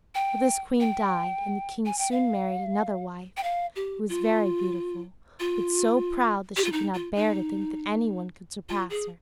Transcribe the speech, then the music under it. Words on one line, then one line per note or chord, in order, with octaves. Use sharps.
But this queen died; and the king soon married another wife, who was very beautiful, but so proud that she could not bear to think that any one could surpass her.
G5
G5
G#5
G5
F5
G5
F5
G4
F4
F4
G4
F4
D#4
F4
D#4
F4
G#4